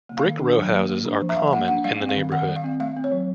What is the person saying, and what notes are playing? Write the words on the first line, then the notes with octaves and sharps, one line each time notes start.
Brick rowhouses are common in the neighborhood.
A#3
F5
D#3
D4
F#3
A#3
A#3
D4
F3
E5
F3 F5
A#3 F#5
D4 F#5
G3 F5
C4
F5
D#3
D#3 F#5
G3
F5
C4
A3 F5
C4
C#5
F#3